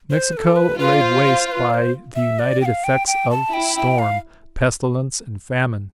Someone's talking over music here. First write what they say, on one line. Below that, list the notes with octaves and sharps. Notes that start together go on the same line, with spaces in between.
Mexico laid waste by the united effects of storm, pestilence and famine.
C5
B4
A4
B4
F4 B4
D5
C5
C5
C5
B4
D5
C5
E5
D5
G5
F5
G5
G5
A5
E4 G5
G5
F5